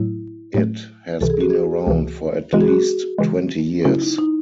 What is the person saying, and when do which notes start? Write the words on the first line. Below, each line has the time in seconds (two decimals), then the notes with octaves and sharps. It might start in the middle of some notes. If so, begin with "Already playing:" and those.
It has been around for at least twenty years.
Already playing: A2 F#3 A3 E4
0.54 A2 F#3 A3
1.21 C#2 C3 E3 A4
1.30 G#4
1.41 F#4
1.50 G#4
1.87 C#2 C3 E3
2.53 C#3 E3 G#3 F#4
2.61 G#4
2.68 F#4
3.19 C#3 E3 G#3
3.85 C#3 F#3 A3 C#4 E4 F#4
4.02 D#4
4.18 D#4